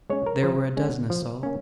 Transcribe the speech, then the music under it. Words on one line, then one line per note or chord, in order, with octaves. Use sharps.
There were a dozen assaults.
G#3 C#4 C#5
A#4
F3 C5
G#3 C#4
F3
A#3 C#4